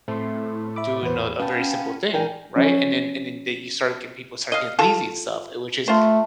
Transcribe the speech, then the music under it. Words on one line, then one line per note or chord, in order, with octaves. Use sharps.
doing a a very simple thing, right? And then and then they you start getting people start getting lazy and stuff, eh, which is
A2 A3 C4 C6
E5 B5 D6
E2 B3 B4 C5
B3 C#4 F5 G5 A5
E3 D4 A#4 G5 G#5
F3 C#4
D#5 F5
F4 A4
A3 F4 C5